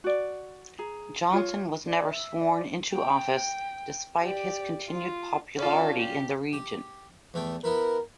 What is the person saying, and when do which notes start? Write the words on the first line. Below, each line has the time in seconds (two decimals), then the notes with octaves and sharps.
Johnson was never sworn into office, despite his continued popularity in the region.
0.04 F#4 D5
0.79 G#4 A#5
1.33 F4 C#5
1.86 D5
2.11 E5
2.41 D5
2.92 G5
4.21 G4 D5
4.88 F4
5.58 C#4 F4 A4 D5
5.98 G4
6.53 G4
7.34 E2 A3 G5
7.64 B3 E4 A#4 B4